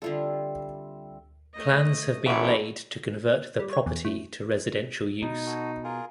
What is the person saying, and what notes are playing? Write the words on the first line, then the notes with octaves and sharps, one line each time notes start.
Plans have been laid to convert the property to residential use.
D3 G3 C4 F4 A4 E5
A3 D#5
A1 F#4 C#5 D5 E5 B5 E6
G3
C#5
E2
A2
B2 D#4
F#4 A4
F4 G#4 A#4